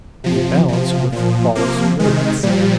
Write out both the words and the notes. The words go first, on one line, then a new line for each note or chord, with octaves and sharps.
A balance with false weights.
C3 F3
C3 F3
A#2 F3
C3 F3 A#3
C3 D#3 G#3
A#2 F3 G3